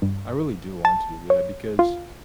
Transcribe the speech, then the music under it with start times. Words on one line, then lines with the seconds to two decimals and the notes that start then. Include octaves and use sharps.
I really do want to, yeah, because,
0.02 G2
0.85 A5
1.30 C#5
1.79 F4